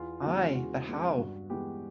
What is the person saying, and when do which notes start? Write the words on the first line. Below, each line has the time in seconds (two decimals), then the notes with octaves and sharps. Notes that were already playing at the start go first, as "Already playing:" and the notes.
Ay, but how?
Already playing: E2 F4
0.22 C#3 E3 G#3 B3 F#4
0.55 E2 F#4
0.87 C#3 E3 G#3 B3
1.18 G2 F#4
1.50 E3 G#3 B3 G4